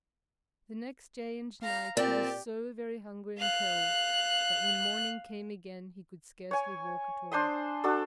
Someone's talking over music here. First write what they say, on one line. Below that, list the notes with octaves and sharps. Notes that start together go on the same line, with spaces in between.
The next day and night he was so very hungry and cold that when morning came again he could scarcely walk at all.
F5 A#5
A#2 C4 G4 D5
F5 F#6
C#5 G#5
D4 C5 C6 D#6
D4 F#4 A4